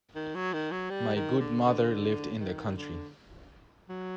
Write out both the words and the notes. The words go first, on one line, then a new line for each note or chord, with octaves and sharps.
My good mother lived in the country.
D#3
F#3
D#3
F#3
G3
D#3
D3
D3
D#3
D3
F#3